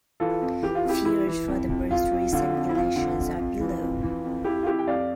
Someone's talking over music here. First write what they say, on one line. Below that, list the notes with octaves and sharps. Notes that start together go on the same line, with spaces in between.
Figures for the most recent elections are below.
E3 F4 A4
F2
E3 G4
F4
F2 E4 G4
E3 E4
E3
F2
F2
F2 F4
F2
D3 F4
F2
E4
F2 F4
D3
F2
F2
E3
F2
E3
F2
F2 E4 G4
F4
F2 E4 G4
G5
F2 D5 F5